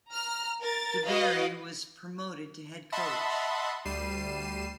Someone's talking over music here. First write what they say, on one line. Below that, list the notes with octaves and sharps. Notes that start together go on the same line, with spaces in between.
DeBerry was promoted to head coach.
A#5 F6
A#4 A6
F#4 B4 D#5 F5
D#5 E5 F#5 A5 B5 C6
D2 G3 C7 D#7 E7